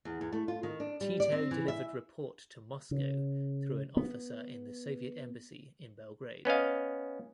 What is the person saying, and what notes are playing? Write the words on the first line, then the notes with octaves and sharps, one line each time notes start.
Tito delivered report to Moscow through an officer in the Soviet Embassy in Belgrade.
E2
E2
A3
F4
D#3
D4
G3
D5
C4
E3
E5
C#3
B3
B3 C#4 D#5 F5